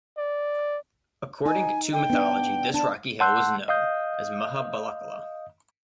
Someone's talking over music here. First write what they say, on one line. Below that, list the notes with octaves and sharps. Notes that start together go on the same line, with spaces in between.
According to mythology, this rocky hill was known as Mahabalachala.
D5
D#4 G#5
G5
B3 D4
D4 A5
F#5 A5 C6 E6 F#6 G6
D#5 F5 D#6 G6